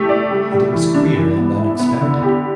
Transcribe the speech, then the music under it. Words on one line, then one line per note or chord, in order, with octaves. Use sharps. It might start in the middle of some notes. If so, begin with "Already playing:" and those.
And it was queer and unexpected.
Already playing: A3 G4
D5
G3
G3
E3
D4
E3
B3
E4
B3
D3
G4